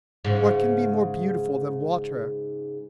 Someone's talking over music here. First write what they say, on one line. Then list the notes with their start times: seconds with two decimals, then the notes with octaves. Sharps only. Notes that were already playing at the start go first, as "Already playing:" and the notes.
What can be more beautiful than water?
0.25 G#2 C#3